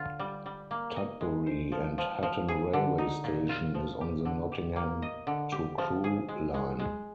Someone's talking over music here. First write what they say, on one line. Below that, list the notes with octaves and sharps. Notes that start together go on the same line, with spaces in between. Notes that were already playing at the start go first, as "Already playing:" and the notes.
Tutbury and Hatton railway station is on the Nottingham to Crewe line.
Already playing: D3 F4
G3
G3
A#3
D#5
G#3
C5
F3
F3
F3
G#4
D3
D#4
A#2
F4
F3
G4
D3
G4
A#3
D#5
D3
G4
F3
G#4
G#3
G#3
G#3